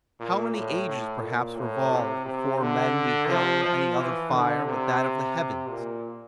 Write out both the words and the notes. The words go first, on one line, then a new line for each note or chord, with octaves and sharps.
How many ages perhaps revolved, before men beheld any other fire but that of the heavens?
A#2
A2
A2
A#2
A2
C3
C3
D3
F3
F3
E3
D3
C3
A#2